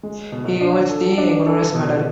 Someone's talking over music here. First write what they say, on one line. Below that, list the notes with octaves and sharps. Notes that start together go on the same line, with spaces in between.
He holds the Gunnerus Medal.
G#3
B2
D4
A4
D4
A4
B2